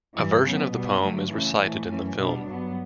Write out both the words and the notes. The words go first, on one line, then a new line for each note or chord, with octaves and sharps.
A version of the poem is recited in the film.
G2 E3 G3
C#3 F#3 B3
B2 G3 B3
G2 D3 F#3 A3
C#3 E3 A3
A2 E3 A3
F#2 E3 A3 C#4
B2 G3 B3 D4
G2 F#3 B3